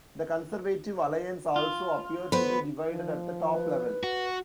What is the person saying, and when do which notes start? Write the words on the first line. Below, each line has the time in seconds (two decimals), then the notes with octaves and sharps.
The Conservative Alliance also appeared to be divided at the top level.
1.56 F4
2.32 B3 B4 C5 B5
2.91 F3
3.51 B4
4.04 F#4